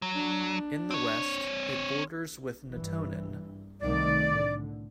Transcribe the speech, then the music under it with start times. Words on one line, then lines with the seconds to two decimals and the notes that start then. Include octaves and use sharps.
In the west, it borders with Natonin.
0.02 F#3
0.16 D4
0.91 C4 C#5
2.69 G2 E3
3.82 C2 D#3 A3 D5
4.25 A2 D3